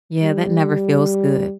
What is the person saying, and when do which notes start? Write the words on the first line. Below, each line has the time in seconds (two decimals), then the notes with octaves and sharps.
Yeah, that never feels good.
0.22 G3